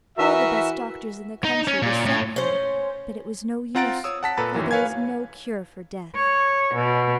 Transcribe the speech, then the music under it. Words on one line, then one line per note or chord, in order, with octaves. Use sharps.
All the best doctors in the country were sent for, but it was no use, for there is no cure for death.
E3 F#4 A#4 E5
D#4
C#4
A#2
A2
C#4 C5
C4 F4 F#5 A#5 A6 D7
C#5 D#6 E6
F#5 A5 B6
A#2 A4 B4 A#5 B5 A6
F#2 D#3 E3 F#3
B4 C#5 F5 G#5 G#6
C#5
B2